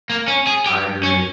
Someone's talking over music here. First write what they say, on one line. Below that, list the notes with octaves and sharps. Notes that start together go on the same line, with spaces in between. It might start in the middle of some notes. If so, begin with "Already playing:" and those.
I agree.
A#3
C#4
G#4
G4
C#4